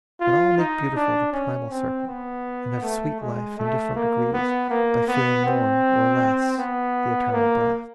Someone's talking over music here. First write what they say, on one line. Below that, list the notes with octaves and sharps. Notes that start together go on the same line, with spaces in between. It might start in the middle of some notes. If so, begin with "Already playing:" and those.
But all make beautiful the primal circle, And have sweet life in different degrees, By feeling more or less the eternal breath.
F4
D#4
D4
C#4
C4
B3
A3
G#3
A3
A#3
B3
A#3
B3
C4
B3
A#3